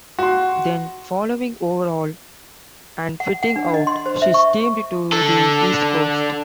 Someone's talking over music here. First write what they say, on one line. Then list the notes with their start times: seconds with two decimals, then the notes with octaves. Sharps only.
Then, following overhaul and fitting out, she steamed to the east coast.
0.19 F#4 C6
3.20 F#5
3.43 F#5
3.56 D4
3.74 D#5
3.87 C6
4.06 C5
4.22 E5
4.34 C#6
5.12 D3 A4